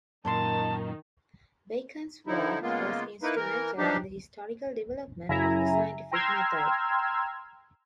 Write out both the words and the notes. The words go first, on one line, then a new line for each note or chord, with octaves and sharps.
Bacon's work was instrumental in the historical development of the scientific method.
F#2 A#2 D#3 D#4 A5 C6
D3 F3 D#4 E4
C#3 G#3 A#3 B3 F4
A#3 D#4 E4 B4
E3 A#4
E3 F3 G3 D4 D#4 G4
F#2 C#3 E4 E5 G#5 A#5
G5 A#5 C6 E6 F6 G#6